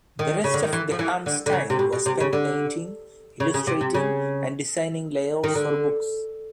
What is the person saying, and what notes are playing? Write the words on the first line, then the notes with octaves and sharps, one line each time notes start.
The rest of Graham's time was spent painting, illustrating and designing layouts for books.
D#3
C#3
D3
D#3
E3
F3
E3
D3
D3
C#3
C3
B2
B2
C3
C#3
D3
C#3
C#3
C3
C3
C#3
D#3
D3